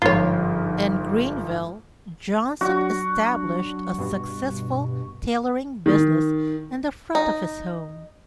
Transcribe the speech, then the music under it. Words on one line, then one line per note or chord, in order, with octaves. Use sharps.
In Greeneville, Johnson established a successful tailoring business in the front of his home.
G1 G#2 F3 F4 C#5
F#3 D4 F#4
G2 B2
D#3
D#4